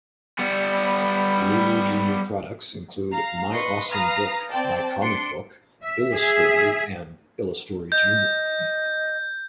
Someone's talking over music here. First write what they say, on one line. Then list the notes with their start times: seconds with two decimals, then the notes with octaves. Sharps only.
Lulu Junior products include My Awesome Book, My Comic Book, IlluStory, and IlluStory Junior.
0.39 G3 B3
3.11 F5 A#5
3.51 B4 D#5 C6 C#6
3.90 B4 F5 A#5 D#6 F6 A#6
4.51 C4 D5 G5 A5
5.01 D4 C6 C#7 D7
5.82 E5
6.13 G#4 E5
7.92 D#5 G6